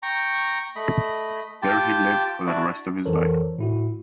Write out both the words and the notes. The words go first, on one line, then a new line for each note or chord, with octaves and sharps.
There he lived for the rest of his life.
G5 A#5 C#6
A3 D#5 B5
F4 G4 G5 A5
D4 E4 F#4 D5
F2 E3 A4 A#4 C5 C#5
A2 E4 F#4